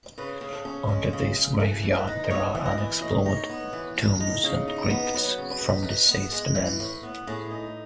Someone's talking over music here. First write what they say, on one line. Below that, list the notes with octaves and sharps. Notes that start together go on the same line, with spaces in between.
Under this graveyard there are unexplored tombs and crypts from deceased men.
C#3 B4
C#3
A4
C#4
G#3
C#3
C#3
E3 A4
E3
B4
D#4
B3 C#5
E3
D#5
E3
A2 D#5
D#4
C#5
B3
E3
A2
D#4
C#3
D#4
B3
F#3 B4
C#3
B4
D#4
A2
B3
G#3
E3
A2
B3
A2 G#4
D#4